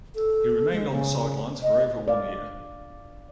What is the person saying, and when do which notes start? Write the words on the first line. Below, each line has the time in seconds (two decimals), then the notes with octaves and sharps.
He remained on the sidelines for over one year.
0.15 A4
0.72 G#3
0.90 C#3
1.63 D#5
2.08 D5 F5